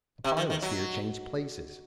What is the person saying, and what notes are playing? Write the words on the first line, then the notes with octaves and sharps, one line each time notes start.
The pilots here changed places.
C3
D#3
D#3
F#3